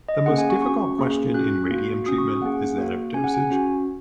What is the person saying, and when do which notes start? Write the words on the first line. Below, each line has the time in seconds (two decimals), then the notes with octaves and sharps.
The most difficult question in radium treatment is that of dosage.
0.09 D#5
0.26 A#3 C#4 G#4 F#5
0.38 G#5
0.50 C#6
0.62 C#4 F#4 C#6
0.98 A#3 C#4 G#4
1.34 C#4 F#4 F#6
1.71 A#3 F#4
2.06 C#4 F#4 D#6
2.18 C#6
2.42 A#3 C#4 G#4 F#5
2.78 A#3 F#4
3.14 C#4 G#4 G#5
3.24 F#5
3.34 G#5
3.50 C#4 F#4